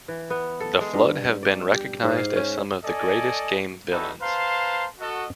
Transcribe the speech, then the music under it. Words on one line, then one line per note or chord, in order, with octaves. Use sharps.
The Flood have been recognized as some of the greatest game villains.
E3
B3
A4
G#3
G2
D5
G4
G#2
F5
C#4
A4 D5 D#5 G#5
C4 D#4 E4 F#4 A4 B4
B4 C5 F5 A5 A#5 C6
F#4 A4 D#5